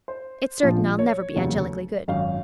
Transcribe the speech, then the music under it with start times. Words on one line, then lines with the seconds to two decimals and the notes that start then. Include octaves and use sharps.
It's certain I'll never be angelically good.
0.08 C5
0.63 A#1 A#2 F3
0.99 C#5
1.36 F1 D#2 C#3 F#3
2.08 G#1 F#2 D#3 F#3 F5